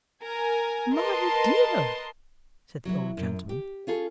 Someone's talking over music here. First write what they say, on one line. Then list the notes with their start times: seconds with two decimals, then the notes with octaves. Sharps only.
'My dear,' said the old gentleman.
0.23 A#4 G#5
0.95 A#4 B4 D#5 A5 C6
2.85 E3 F#3
3.17 F#2
3.49 G4
3.87 C#4 F4 G#4 A4